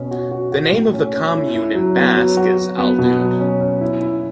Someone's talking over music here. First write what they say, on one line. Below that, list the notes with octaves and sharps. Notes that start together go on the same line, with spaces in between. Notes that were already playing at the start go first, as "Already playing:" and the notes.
The name of the commune in Basque is "Aldude".
Already playing: B2 C#4
F#4
F#4
F#4
A2
C#4
C#4
E4
E4
F#3
B3
F#3
F#4
F#3
B3
B2
F#3
C#4
C#4
E4
E4